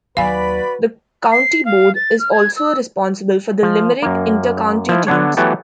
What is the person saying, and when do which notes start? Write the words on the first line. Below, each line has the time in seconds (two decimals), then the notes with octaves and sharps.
The county board is also responsible for the Limerick inter-county teams.
0.17 D#2 F#3 F#4 B4 D5 F5 G#5 B5
1.32 C7
1.65 F5
1.95 A6
2.19 F6
2.32 G#6
2.56 E6
3.63 F3
4.02 F#2 A#3
4.89 F3 E4
5.07 D3 B3 D4 C#5
5.37 E3 F#3 A3 B3 G4 A4